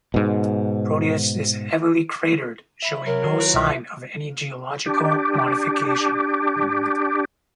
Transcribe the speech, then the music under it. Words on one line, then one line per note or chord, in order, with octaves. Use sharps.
Proteus is heavily cratered, showing no sign of any geological modification.
G#2 B2
E5 B5
F#3 A#4
D#3 F#4
E4 F4 B4
C2 B2 E5
D4 G4